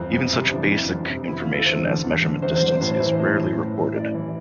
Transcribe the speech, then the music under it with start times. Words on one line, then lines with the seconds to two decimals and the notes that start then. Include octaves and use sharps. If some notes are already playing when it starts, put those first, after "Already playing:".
Even such basic information as measurement distance is rarely reported.
Already playing: F2 E3 C4
0.13 F2
0.33 C3
0.51 E3 D4
0.71 F2
0.90 F2
1.10 C3
1.28 E2 E4
1.40 F4
1.48 D3
1.54 A4
1.66 E2 C5
1.85 D3
2.04 E2
2.23 D3
2.42 E2 C5
2.55 C5
2.62 D3
2.68 C5
2.81 A2 C5
2.94 C5
3.00 E3
3.06 C5
3.19 A2 C5
3.39 E3
3.57 A2
3.77 E3
3.96 A2 D5
4.14 E3